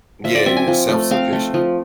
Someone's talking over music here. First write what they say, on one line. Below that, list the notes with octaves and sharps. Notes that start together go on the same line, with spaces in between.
Yeah. You're self-sufficient.
F3 E5
D5
C4 E5
G#5
F3
A3
C4 F5
A3
F3